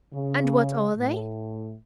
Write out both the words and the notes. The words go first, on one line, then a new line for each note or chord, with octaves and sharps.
"And what are they?"
C#3
A2